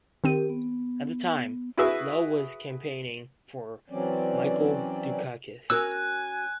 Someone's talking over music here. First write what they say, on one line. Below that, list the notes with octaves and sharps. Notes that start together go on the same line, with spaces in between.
At the time, Lowe was campaigning for Michael Dukakis.
D#3 C4 G4 A#4 D#7
B3
E4 F#4 G#4 B4 E5
E3 F#3 C4 C#4 D5
C#4 F#4 A#4 G#5 E6 F#6